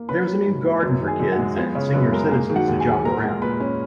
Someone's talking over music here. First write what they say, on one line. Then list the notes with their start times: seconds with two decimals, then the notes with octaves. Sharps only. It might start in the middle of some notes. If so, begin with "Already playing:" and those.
There is a new Garden for kids and senior citizens to jog around.
Already playing: A#3
0.09 C#4 B4 B5
0.27 F#3
0.46 G#2
0.64 A#3
0.83 F#2
1.01 D#3
1.08 G#4 G#5
1.20 F#2
1.32 F#4 F#5
1.39 G#3
1.57 B3 F4 F5
1.75 C#3 C#4 C#5
1.94 F#2 B3 B4
2.12 G#3 A#4
2.31 A#3 G#4
2.50 D#3
2.56 F#4 F#5
2.68 D#2
2.80 G#4 G#5
2.87 F#3
3.05 A#2 A#4 A#5
3.24 G#3
3.42 A#2 B4 B5
3.60 C#4